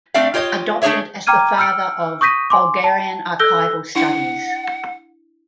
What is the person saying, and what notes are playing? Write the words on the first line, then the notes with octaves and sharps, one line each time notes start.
Adopted as the father of "Bulgarian archival studies".
A3 C4 D4 D5 E5 F5
F4 G4 C#5 D#5
A3 D4 G4 G#4 C#5 E5
G5 A#5 D6 F6 G#6 D#7
E6 F6 G6 C#7 D7
C#6 D#6 G6 A#6 B6 D#7
G#5 C6 D6
A5
A4 E6 F#6 G6 A#6 G7
D4 E4 F#5